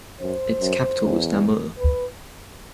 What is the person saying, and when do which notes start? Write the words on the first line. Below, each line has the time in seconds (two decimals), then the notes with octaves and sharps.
Its capital was Namur.
0.21 F#2 C5
0.61 F#2
1.00 E2
1.78 B4